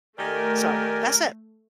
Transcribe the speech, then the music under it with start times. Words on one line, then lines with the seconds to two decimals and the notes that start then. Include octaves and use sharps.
So, that's it.
0.18 D#3 A3 G4 A#4 D5 G#5